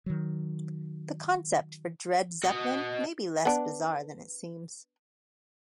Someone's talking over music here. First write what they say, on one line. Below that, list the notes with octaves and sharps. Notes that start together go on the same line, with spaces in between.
The concept for Dread Zeppelin may be less bizarre than it seems.
D#3 F#3
F#4 D#5
B3 D4